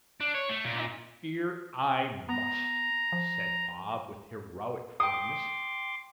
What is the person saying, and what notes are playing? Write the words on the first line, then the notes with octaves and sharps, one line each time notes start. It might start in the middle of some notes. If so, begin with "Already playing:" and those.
'I fear I must,' said Bob, with heroic firmness.
D4
C#5
A3
A#2
B3 A#5
F3
G5 C6 D6 D#6 C#7